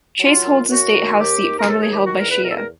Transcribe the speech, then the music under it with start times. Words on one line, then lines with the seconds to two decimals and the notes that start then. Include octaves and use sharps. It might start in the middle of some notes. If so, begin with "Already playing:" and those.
Chase holds the state House seat formerly held by Shea.
0.19 F#3 F4
0.43 F#2
0.69 F#2 F#4
0.93 D#3
1.18 D#2 G4
1.43 D#2
1.59 A#4
1.68 D#2 A4
1.81 G#4
1.92 D#3 G4
2.05 F#4
2.17 E2 A#4
2.30 B4
2.42 B2 A#4
2.49 A4
2.55 A#4